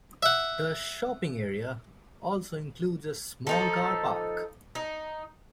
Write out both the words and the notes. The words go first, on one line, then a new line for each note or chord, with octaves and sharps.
The shopping area also includes a small car park.
E5 F#5
F3 D#4 A4
D#4